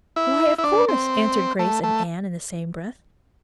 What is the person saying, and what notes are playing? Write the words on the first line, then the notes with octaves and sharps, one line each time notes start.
"Why, of course," answered Grace and Anne in the same breath.
E4
E4
D4
C4
A3
A3